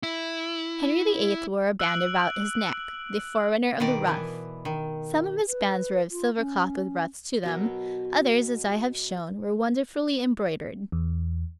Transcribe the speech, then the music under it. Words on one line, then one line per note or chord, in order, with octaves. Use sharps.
Henry VIII. wore a band about his neck, the forerunner of the ruff. Some of his bands were of silver cloth with ruffs to them, others, as I have shown, were wonderfully embroidered.
E4
E6 F#6 D7 F#7
B2 D#3 D5 A#5
E3 B3
D#3
B4
F4
C#4
B2 F#3 A#4
E2